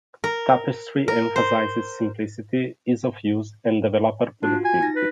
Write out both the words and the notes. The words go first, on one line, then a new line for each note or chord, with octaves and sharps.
Tapestry emphasizes simplicity, ease of use, and developer productivity.
A#4
A#4
C5
D4 F4 F#4
G#5
D#4 A#6
B4